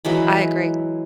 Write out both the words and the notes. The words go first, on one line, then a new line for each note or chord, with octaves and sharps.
I agree.
E3 F#3 G#3 B5